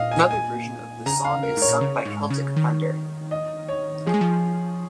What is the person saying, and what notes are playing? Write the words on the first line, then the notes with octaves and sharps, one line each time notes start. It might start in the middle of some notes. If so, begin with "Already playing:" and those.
Another Version of the song is sung by Celtic Thunder.
Already playing: A#2 D#5 F5
G#5
G#5
C#3 A#5
F5
A#4
G#2 C#5
A#2
C#3
G#2
C#3
D#3
D#5
C#5
F3 G#4
G#3
F3